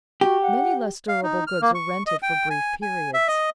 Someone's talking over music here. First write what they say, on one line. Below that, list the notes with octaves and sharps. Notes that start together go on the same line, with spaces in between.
Many less durable goods are rented for brief periods.
F#4 G4
F#5
F5
D#4
F6
A#3
C#6
D#5
G5
G#5
G#5
E5
D#5